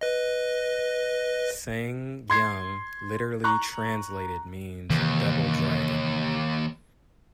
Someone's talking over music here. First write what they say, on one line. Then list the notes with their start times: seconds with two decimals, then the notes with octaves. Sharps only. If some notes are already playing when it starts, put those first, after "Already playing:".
"SsangYong", literally translated, means "Double Dragon".
0.01 B4 D#5
2.30 C6 G#6 C7
3.44 A#5 C#6 F#6
4.90 D#2 C3 D#3 E3